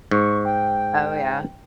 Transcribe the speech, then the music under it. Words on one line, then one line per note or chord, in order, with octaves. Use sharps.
Oh, yeah.
G#2 C#6
G5